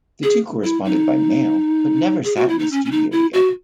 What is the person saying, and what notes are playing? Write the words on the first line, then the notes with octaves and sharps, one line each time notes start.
The two corresponded by mail but never sat in a studio together.
G#4
E4
D#4
G#4
F#4
E4
D#4
C#4
C#4
D#4
E4
F#4